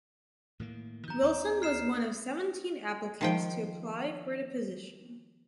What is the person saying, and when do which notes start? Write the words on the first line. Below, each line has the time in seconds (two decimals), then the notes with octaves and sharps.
Wilson was one of seventeen applicants to apply for the position.
0.60 A2 D#3 A#3
1.08 D#3 F#3 B3 A#5 G6
1.22 D#2 G3 C4
1.62 F6 C7 E7
3.21 D#3 F3 G5